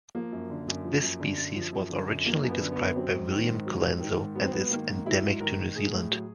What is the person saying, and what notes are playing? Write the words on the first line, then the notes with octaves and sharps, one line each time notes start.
This species was originally described by William Colenso and is endemic to New Zealand.
F3 A#3
F#2
D3
F#2
F3
F#2
D3
F#2
F3
F#2
D3
F#2
F3 A#3
F#2
B3
D3
B3
F#2
F#3 C4
G#2
D#3
G#2
F#3
G#2
D#3
G#2
F#3 B3
C4
G#2 B3
D#3 A#3
G#2
F#3 E4
G#2
D#3 A#4
G#2
A2 G#4
A2
F#3